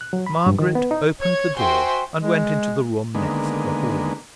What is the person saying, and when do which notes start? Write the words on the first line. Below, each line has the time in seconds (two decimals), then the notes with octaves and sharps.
Margaret opened the door, and went into the room next the hall.
0.01 F#6
0.13 F#3
0.26 B5
0.46 G2
0.59 D#3
0.75 B3
0.91 D#4
1.20 C#5 G#6
1.57 F#4 C5 E5 G5 G#5 C6
2.21 G#3
3.14 D3 D#3 G#3 A#3 B3